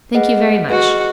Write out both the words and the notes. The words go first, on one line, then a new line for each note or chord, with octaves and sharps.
'Thank you very much.'
G#4 B4 D#5 F#5
F#4 G#4 B4 D#5 F#5